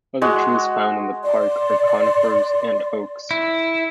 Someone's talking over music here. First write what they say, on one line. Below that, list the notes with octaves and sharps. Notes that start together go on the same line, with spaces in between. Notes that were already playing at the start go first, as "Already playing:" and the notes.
Other trees found in the park are conifers, and oaks.
G#3 F#4
D5 C6
E4